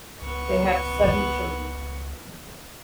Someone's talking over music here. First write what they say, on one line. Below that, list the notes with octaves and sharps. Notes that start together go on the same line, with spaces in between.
They had seven children.
C#2 B3 C#6